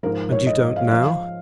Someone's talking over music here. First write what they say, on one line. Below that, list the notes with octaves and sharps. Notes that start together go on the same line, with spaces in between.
"And you don't now?"
G#2 F3 A#4
C#5
D#5
F5
F3 F5